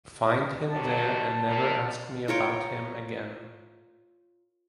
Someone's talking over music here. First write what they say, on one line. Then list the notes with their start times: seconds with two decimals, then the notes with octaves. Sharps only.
Find him there and never ask me about him again!
0.71 D#2 C3 F#3 A5
1.46 D#2 A#2 A#4
2.28 F4 A#4 C#5 G5